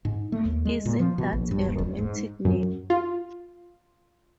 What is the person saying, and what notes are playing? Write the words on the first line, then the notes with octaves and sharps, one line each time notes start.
Isn’t that a romantic name?
G#2
A3
D#2
G#3
A#2
F3
B2
A#1
G2
D#1
E1
G#2
F#2
F4